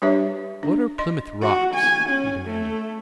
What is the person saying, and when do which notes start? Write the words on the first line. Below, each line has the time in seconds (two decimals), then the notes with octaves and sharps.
"What are Plymouth Rocks?" he demanded.
0.02 G3 D4 G4 B4 C#5 E5
0.63 D4
0.98 D#5 C6
1.42 F#4
1.75 G#5
2.10 C#4
2.46 A3